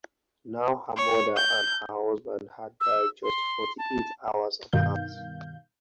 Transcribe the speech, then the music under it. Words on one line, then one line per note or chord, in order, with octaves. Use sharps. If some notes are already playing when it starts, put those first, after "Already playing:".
Now her mother and her husband had died just forty-eight hours apart.
C#5
G6
E6
C6
A5
G2 B2 D#3 F5 G6